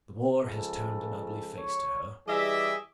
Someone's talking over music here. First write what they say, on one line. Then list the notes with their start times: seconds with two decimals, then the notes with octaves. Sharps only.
The war has turned an ugly face to her.
0.42 C#2 F3 A4
1.57 C#5
2.27 E3 G3 G#4 D#5 E5 D6